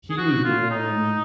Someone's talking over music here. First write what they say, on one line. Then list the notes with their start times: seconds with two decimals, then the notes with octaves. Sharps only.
he was the one
0.10 G#4
0.17 F#4
0.44 F4
0.70 D#4